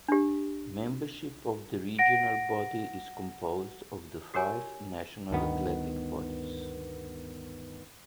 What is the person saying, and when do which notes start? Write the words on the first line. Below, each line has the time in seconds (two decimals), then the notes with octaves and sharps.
Membership of the regional body is composed of the five national athletics bodies.
0.09 D4 G4
1.99 F#5 A#6 D7
4.34 F#4 G4 A#4 C#5 G#5
5.30 D2 G2 D#3 B3